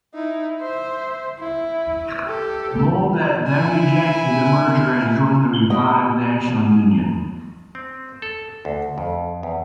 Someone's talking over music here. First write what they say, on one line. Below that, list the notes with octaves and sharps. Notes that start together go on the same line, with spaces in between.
Moledet then rejected the merger and joined the revived National Union.
D#4 E4
C5 E5
E4
G4 A4
E4 G#5
G4 D#5 D#6
C4
A4
D2
F2
E2